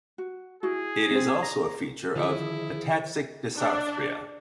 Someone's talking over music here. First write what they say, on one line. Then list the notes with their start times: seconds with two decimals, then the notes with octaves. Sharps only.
It is also a feature of ataxic dysarthria.
0.18 F#4
0.63 E4 F#4 G#4
1.11 C3 C4
1.43 A#5
2.16 D3 D#3 F3 E4 G#4
3.58 D4